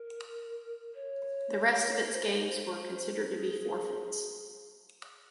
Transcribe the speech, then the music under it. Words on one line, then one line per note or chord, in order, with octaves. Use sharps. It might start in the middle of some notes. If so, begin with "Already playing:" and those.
The rest of its games were considered to be forfeits.
Already playing: A#4
C#5
C5
G#4